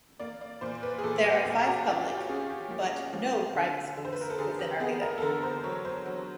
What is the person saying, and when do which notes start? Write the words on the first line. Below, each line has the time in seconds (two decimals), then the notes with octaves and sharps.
There are five public but no private schools within Arleta.
0.19 A#3 D5
0.41 D5
0.61 A#2 C5
0.83 B4
0.99 G#4
1.03 A#2 A4
1.24 G4
1.45 A#2 G4
1.66 F#4
1.87 C#4 F4
2.08 G4
2.29 C#4 G#4
2.50 G4
2.71 A#3 G4
3.13 F3
3.55 D3
3.97 D3
4.05 C5
4.13 B4
4.21 A#4
4.30 A4
4.38 D3 G#4
4.59 G4
4.80 B3 G#4
5.01 A#4
5.18 A4
5.22 D3 A#4
5.43 C5
5.64 F#3 C#5
5.85 C5
6.06 F#3